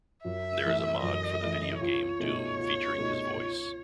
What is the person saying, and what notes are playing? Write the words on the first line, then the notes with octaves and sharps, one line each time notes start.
There is a mod for the video game "Doom" featuring his voice.
F#2 E5
E3 A3 E4
F#2 D#5
E3 A3 E4
C#2 C#5
B2 A3 D#4 G#4
C#2
B2 A3 D#4 G#4
C#2